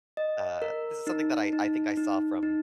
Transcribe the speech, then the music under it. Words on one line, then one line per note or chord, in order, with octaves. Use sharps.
uh this is something that I I think I saw from,
D#5
A#4
D#4
D#4
D#4
D#4